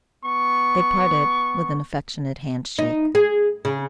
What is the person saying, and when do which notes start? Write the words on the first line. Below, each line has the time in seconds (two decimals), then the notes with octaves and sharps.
They parted with an affectionate handshake.
0.23 B3 C#6
2.79 D#4
3.15 G#4
3.65 C#3